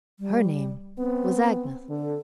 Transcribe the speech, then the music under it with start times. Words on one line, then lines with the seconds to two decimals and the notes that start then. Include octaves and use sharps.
Her name was Agnes.
0.20 G3
0.99 B3 C4
1.89 D3 A4